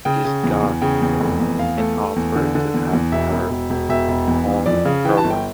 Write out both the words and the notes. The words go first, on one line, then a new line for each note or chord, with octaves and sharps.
This got her an offer to have her own program.
C#3 G5
C#3
E2
E2
C#3 G5
E2
F1
E2
E2 F5
A3
A3
E2
D3
D3
E2
E2
E1 E5
E1
E1
E1
E1 E5
E1
E2
E2
F2 D5
C#3 F5
E3 G5
A5
G1
G5